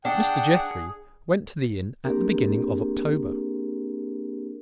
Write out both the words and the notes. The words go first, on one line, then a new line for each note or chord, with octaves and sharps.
Mr. Jeffrey went to the inn at the beginning of October.
D4 G#4 F#5 G5
A#3 C4 D4 G4 G#4 A#4